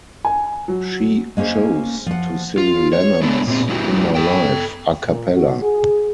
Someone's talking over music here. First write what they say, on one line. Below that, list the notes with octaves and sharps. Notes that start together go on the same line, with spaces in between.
She chose to sing Lennon's "In My Life" a cappella.
G#5
F#3
G#3 A#3 C#4 G#4 C5
F3 F#5
F4
C#5
G#3 A3 B3 D4
A#2 C4
F#3 G#3 C#4 E4 F#4 G4
A4 G5
A#2
F#4
G#4